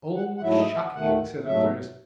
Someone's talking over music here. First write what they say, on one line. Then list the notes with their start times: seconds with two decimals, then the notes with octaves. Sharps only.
"Oh, shocking!" said others.
0.16 F#5
0.37 F#5
0.42 G#2 F#3 A3 E4 E5
0.59 D#5
0.71 E5
0.77 F#5
0.94 D#2 D#3 A3 F#5
1.46 G#2 F#3 A3 E5